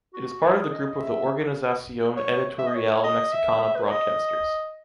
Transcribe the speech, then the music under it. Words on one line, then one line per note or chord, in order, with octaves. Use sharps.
It is part of the group of the Organización Editorial Mexicana broadcasters.
F#4
E4
G#4
D#5
E5
C#5
E5
D#5
C#5
D#5
E5
E5
B4
C#5
D#5